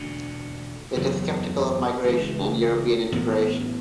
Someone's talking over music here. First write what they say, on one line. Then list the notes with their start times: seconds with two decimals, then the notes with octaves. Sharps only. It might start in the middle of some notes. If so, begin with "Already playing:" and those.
It is skeptical of migration and European integration.
Already playing: E1 D2 D3
0.96 F#1 E2 C#3 F#3
2.04 C#2 C#3 E3
3.12 A1 A2 E3 B3